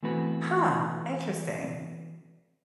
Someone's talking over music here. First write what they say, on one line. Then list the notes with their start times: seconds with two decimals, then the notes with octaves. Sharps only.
Huh. Interesting.
0.03 E3 A3 B3 C4 F#4 B4